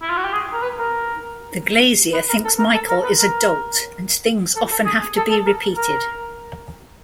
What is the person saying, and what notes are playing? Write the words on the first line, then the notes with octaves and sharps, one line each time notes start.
The glazier thinks Michel is a dolt, and things often have to be repeated.
E4
F4
F#4
G4
G#4
A#4
B4
A#4
B4
A#4
A4
A#4
A4
A#4
B4
A#4
A4
A4
G#4
G#4
A4
A4
A#4
A#4